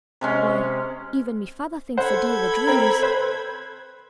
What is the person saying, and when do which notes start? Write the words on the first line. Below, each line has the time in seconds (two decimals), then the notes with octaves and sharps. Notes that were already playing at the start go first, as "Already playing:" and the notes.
Why, even my father thinks a deal o' dreams!
0.21 C3 G#3 C#4
1.97 A4 C5 F#5 B5 G#6
2.67 C4 A#4
3.02 B4 C5